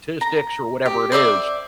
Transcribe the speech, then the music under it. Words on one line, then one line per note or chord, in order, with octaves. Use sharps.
statistics, or whatever it is,
A#5
G4
C5 D5 E5 D6